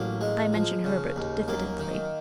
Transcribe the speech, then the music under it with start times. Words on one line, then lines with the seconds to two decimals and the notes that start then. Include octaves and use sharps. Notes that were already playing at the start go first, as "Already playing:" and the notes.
I mentioned Herbert diffidently.
Already playing: A1 F#3 A#3
0.21 G#3
0.53 F3
0.84 C#3
1.16 D#2
1.48 F#2 A#3
1.80 D#3